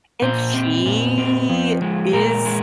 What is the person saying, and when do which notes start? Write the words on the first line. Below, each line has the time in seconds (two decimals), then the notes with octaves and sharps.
and she is
0.22 A#2 C5
0.54 C4
0.86 A#2
1.18 C4
1.49 F3
1.82 G#3
2.13 A#2 A#4
2.45 G#3